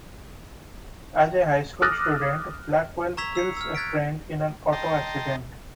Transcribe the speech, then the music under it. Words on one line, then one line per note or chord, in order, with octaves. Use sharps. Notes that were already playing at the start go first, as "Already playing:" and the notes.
As a high school student, Blackwell kills a friend in an auto accident.
D6 D#6 F6 F#6 A6 A#6
A#5 C#6 E6 G#6 B6 F7
E6 C7 C#7
E6 F6
F#6 G#6 A6 B6 D7
D#5 G5 A5 A#5 C6